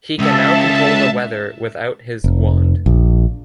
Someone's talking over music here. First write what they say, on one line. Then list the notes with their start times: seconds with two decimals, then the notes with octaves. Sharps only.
He can now control the weather without his wand.
0.19 C#2 E5 A5
2.24 F1
2.86 A#1